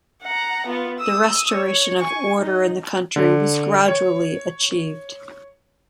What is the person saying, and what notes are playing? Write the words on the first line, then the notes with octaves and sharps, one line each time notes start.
The restoration of order in the country was gradually achieved.
F#5 A#5
B3 F4
D#6 E6
C#5
G#5 C#6
D#4
D3
C#5